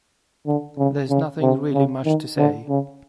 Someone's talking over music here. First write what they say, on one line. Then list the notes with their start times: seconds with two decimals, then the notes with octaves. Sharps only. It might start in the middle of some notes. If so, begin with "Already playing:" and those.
There's nothing really much to say.
0.46 D3
0.78 C#3
1.10 C#3
1.42 C3
1.74 C#3
2.05 D#3
2.37 D3
2.69 C#3